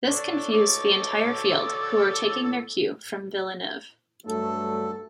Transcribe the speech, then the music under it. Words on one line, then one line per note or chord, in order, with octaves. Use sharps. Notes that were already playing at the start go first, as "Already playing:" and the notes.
This confused the entire field, who were taking their cue from Villeneuve.
D4 A4 C#5
A4 C#5 D6
G2 F#3 A3 A4